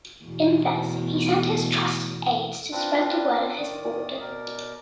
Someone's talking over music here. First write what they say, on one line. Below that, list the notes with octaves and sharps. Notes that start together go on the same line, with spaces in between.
In Fez, he sent his trusted aides to spread the word of his order.
E2 B2 A3
C4 D4 F4 B4
A2 D#3 D5 D#6
B2 A#4 D5